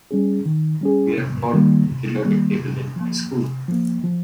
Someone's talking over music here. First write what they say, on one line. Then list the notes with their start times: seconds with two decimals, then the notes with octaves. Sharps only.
We are taught the periodic table in high school.
0.11 G3 C#4 G#4
0.46 D#3
0.81 G3 C#4 G#4
1.17 C3
1.54 D#3 G3 A#3
1.90 C3
2.25 D#3 G3 A#3
2.61 C3
2.96 F3 A#3
3.33 C3
3.68 F3 A#3
4.04 F3